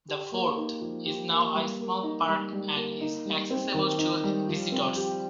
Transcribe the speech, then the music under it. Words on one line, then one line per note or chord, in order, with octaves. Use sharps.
The fort is now a small park and is accessible to visitors.
G4
A#3
D#4
F3
G4
A#3
G3
A#3
D#4
G3
G3
A#3
D#4
G3
C4
D#3
D#4
G3
F3
C4
G4